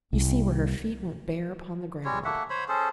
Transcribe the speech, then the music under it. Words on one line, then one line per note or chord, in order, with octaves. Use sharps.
You see where her feet went bare upon the ground.
C2
G3 G#3 C#5
A3 A#3 E5 F#5
C5 C#5 B5
C#4 G#4 A4 C5